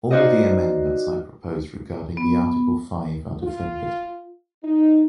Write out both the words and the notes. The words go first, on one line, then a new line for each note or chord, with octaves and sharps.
All the amendments I proposed regarding the Article five are defended.
D#4 F4 F#4 C5 D5 D#5
B3
F4
D#4